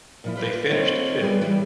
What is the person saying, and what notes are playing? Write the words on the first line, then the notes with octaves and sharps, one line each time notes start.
They finished fifth.
A#2 F3 E4
F4 B4 D5
A3 C4 D#4 F4 C#5
G3 B3 G#4 B4 D5
E3 G3 G4 D5